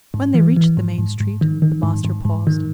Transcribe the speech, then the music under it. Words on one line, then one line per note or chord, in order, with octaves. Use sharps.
When they reached the main street the master paused.
G#2
E3
E3
G#2
G#2
G#2
D#3
D#3
G#2
G#2
G#2
D#3